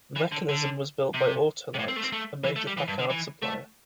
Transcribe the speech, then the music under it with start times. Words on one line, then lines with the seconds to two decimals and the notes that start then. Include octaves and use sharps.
The mechanism was built by Auto-Lite, a major Packard supplier.
0.16 E3
0.32 D3
0.49 D3
1.14 C3
1.74 C3
1.79 A2
1.88 C4
1.96 A3
2.03 C4
2.12 A3
2.44 E3
2.56 A3
2.67 G3
2.77 E3
2.88 G2
2.99 D3
3.10 E3
3.42 A3